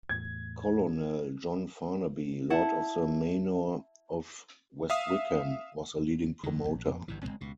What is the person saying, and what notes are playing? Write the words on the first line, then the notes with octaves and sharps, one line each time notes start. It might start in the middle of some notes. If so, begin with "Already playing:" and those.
Colonel John Farnaby, Lord of the Manor of West Wickham, was a leading promoter.
E2 A2 G#6
E4 F#5 A5
E5 F5 D#6
F2 D3 D#3
A#1
F2
G1 G2 E3
F#1 F#2 G#3 C4
C#2 B2